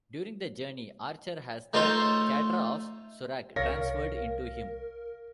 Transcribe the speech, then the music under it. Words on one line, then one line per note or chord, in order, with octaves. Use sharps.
During the journey, Archer has the katra of Surak transferred into him.
A3 D#4 F4 C5 C#5
C2 A#4 C#5 F5 A#6